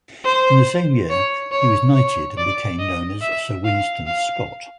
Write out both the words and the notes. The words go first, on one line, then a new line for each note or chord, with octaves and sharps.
In the same year he was knighted and became known as Sir Winston Scott.
C5
C#5
C#5
C#5
D5
D#5
E5
F5
F5